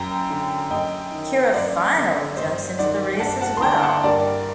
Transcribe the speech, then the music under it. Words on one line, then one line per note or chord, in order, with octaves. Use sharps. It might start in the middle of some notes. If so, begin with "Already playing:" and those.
Keira finally jumps into the race as well.
Already playing: F#2 G5 A#5
D3
F#2 D#5 G5
D#3
F#2 D5 F#5
D3
G2 C5 D#5
D#3 D5 F#5
G2 F#5 A5
F#5 A5
C6
D3 G5 A#5
F#5 A5
G2 A#4 D5